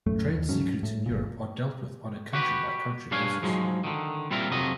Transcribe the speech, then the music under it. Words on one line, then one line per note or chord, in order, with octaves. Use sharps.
Trade Secrets in Europe are dealt with on a country-by-country basis.
B1 F#2 A2 A3
D#2
G#2 F3 F#3 C#4
A2
G1 A#2
F#4 G4 B4
G2 G3 D4 C#5 F5 G#5
G#2 F3 F#3 G#3
D3 D#3
A#2 G3 C4 E4 F4 A#4
F2 C3 F#3 D#5